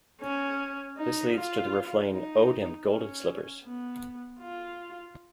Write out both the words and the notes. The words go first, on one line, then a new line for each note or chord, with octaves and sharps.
This leads to the refrain: Oh, dem golden slippers!
C#4
D#4
F4
D#4
C#4
B3
F4